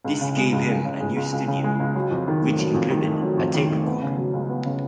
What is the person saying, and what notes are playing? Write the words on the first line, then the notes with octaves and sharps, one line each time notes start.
This gave him a new studio, which included a tape recorder.
C#2
C#3
G#3
C#2
C#2
C#3
G#3
C#2
C#2
C#3
G#3
C#2
F#3
F2
D#3
F1
F#3
F2
D#3
F1
F#3
F2
D#3
F1
B3
C#3
F#3
C#2
B3
C#3